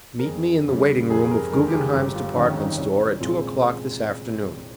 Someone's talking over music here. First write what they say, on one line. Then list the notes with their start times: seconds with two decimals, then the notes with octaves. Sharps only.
Meet me in the waiting-room of Guggenheim's Department Store at two o'clock this afternoon.
0.19 A#4
0.25 F2 G#4
0.68 C#3 G3
1.10 F1 G#4
1.31 A#4
1.52 D#2 D#3 G#3 A#4
1.68 G4
1.73 G#4
1.94 G1 G4
2.15 F4
2.36 F2 D#3 C#4
2.57 D#4
2.77 C2 C#4
3.20 A#2 F3 G#3 C4